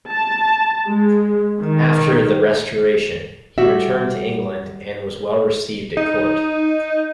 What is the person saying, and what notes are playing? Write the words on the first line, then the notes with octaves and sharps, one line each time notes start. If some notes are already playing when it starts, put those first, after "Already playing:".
After the Restoration he returned to England, and was well received at court.
A5
G#3
D#3
G3 F#4 E5
D#4